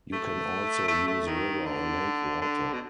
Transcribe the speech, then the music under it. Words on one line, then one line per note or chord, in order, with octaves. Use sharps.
You can also use river or lake water.
A3
A3
A3
D#3
D3
D3
B2